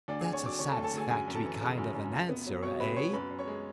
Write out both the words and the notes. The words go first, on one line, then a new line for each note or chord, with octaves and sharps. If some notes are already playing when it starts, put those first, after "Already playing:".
That's a satisfactory kind of an answer, eh?
D2 D4 D5
D2 G#4 G#5
C#5 C#6
F#3 D5 D6
D3 C#5 C#6
A4 A5
D2
A4 A5
D2 G#4 G#5
F#2 G#4 G#5
F#2
A4 A5
E3
C#3
F#2
F#2
C#2
B3
F#3
B2 C#5 C#6
C#2 B4 B5
B3 C#5 C#6
F#2 B4 B5
F#2
C#5 C#6
G#3